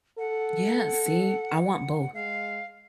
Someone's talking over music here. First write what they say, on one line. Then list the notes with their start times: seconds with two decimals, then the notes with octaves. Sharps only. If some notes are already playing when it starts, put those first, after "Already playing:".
Yeah, see. I want both.
0.18 A4 F#5
2.14 G#3 F5